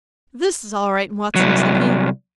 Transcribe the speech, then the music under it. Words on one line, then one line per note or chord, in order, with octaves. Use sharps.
"This is all right, Watson," said he.
C2 F#3